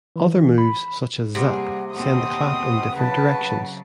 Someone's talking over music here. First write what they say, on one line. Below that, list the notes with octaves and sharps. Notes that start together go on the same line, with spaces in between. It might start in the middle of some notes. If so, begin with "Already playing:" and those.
Other moves such as "zap" send the clap in different directions.
E3
B5
C3 G3 A#3 G#4 F#5
D#2 B2 C4 F#5 C6 D#6
C#3 F#3 B4 A5